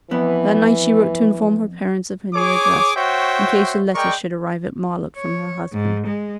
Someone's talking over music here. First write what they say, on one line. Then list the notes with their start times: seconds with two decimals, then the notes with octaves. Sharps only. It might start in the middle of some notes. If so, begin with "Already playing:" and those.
That night she wrote to inform her parents of her new address, in case a letter should arrive at Marlott from her husband.
0.11 F2 E3 B3
2.34 G#4 C#5 D6
2.97 F#4 C5 C#5 E5 G5
3.94 G#3 A#4 D5 G5 C#6
5.16 C#5
5.72 G#2
6.07 G#3